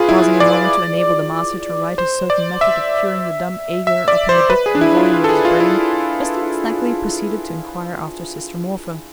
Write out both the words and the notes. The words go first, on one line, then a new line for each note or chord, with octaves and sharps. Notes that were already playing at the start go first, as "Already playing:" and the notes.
Pausing a moment to enable the master to write his certain method of curing the dumb "ager" upon the book and volume of his brain, Mr. McSnagley proceeded to inquire after Sister Morpher.
Already playing: F4 G#4 B4
E4
D5
C5
D5
E5
E5
D5
C5
B4
G#4
D4
E4
F4
F4
A4
G#4
F4
E4